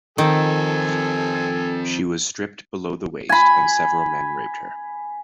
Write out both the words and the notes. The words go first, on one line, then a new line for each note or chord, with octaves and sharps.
She was stripped below the waist, and several men raped her.
D#3 F3 C4 A4 G#5
G#5 B5